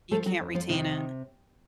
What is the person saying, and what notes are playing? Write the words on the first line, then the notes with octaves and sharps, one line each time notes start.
You can't retain it.
F3 A3 A4
F#3 F#4
F2
F3 F4
C3 D#3 D#4